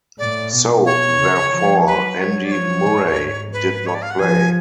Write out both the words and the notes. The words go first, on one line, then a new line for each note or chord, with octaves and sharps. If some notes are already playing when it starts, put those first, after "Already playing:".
So therefore Andy Murray did not play.
A2 D5
B2
C#5
C#3
F3
F#3 B4
F#3 C#5
D5
F3 C#5
A2
G#2
B4
C#5
D5
F5
F#5
F3 G#5